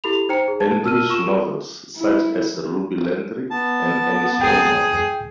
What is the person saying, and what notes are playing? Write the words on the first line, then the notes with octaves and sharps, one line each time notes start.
Andrews novels, such as Ruby Landry and Annie Stonewall.
E4 G4 A4 B5 F7
D#4 C5 G5 A#5 C#7
G#4
A5 G#6
A#4 A5 E6 F6 D#7
F4 C#6 E7
E4
B3 A5
G#4 G5